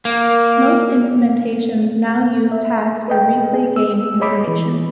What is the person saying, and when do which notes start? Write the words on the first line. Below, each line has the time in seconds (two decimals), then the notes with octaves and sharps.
Most implementations now use tags for ReplayGain information.
0.05 A#3
2.52 E5
3.08 B4 D#5 G5
3.54 G#4
3.76 E6
4.20 G#4 C#5 D#5 B5 D6
4.44 E3 B4